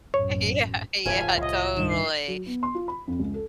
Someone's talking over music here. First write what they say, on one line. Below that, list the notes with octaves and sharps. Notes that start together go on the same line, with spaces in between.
Yeah, yeah, totally.
A1 F#2 B2 C#5
E1 G2 D#3 F3 C#5 E5 G#5
C2 A2 D#5
G2 D#3 E7
C7
F#3
B3
C6
F4
B5
F2
C#2
A4